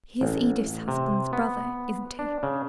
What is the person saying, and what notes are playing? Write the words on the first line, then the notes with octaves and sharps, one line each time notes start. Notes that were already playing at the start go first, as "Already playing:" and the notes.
He is Edith's husband's brother, isn't he?
A1
C3
B3
D4
C#3